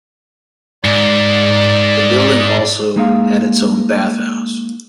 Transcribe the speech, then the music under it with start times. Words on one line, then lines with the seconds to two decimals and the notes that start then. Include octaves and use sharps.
The building also had its own bathhouse.
0.85 G#2 D5
2.96 G#3 A#3 D#4 G#4 E5 F5